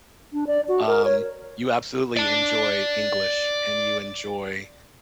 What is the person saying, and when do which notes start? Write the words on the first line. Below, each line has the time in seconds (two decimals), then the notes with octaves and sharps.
um, you absolutely enjoy English and you enjoy,
0.33 D4
0.47 D5
0.68 F#4
0.87 A#4
1.05 C#5
2.17 D5 A5